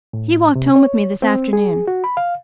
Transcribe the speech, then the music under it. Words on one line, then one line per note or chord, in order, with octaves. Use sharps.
He walked home with me this afternoon.
A2
C3
C#5
C4
G#4
F#4
B5
F5